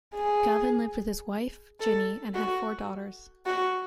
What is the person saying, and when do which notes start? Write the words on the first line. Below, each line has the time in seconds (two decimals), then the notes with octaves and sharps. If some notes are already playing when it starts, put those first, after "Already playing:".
Galvin lived with his wife Ginny and had four daughters.
0.15 G#4
1.80 A4
2.35 F#4
3.46 F#4